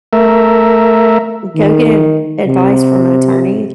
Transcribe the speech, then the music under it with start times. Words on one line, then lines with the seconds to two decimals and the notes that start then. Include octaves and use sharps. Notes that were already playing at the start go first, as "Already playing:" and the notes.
go get a advice from an attorney
0.13 A3 A#4 E5
1.56 D#3
2.47 C3